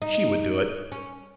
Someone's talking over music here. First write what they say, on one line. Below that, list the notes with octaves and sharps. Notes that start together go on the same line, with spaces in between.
She would do it.
D#4
C#4